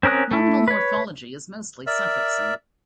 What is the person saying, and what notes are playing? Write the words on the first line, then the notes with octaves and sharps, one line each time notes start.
Nominal morphology is mostly suffixing.
C4 C#4 A#4 D#6 F#6
A3 E4
B4 C#5
A#4 D5 E5